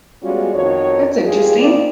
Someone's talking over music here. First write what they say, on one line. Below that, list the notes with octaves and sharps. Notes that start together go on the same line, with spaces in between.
That's interesting.
G3 G#3 B3 C#4 F4 F#4
F2 D#3 D#4 F#4 C#5
E2 G2 F4 G4 G#4
D#3 A#3 C4 D5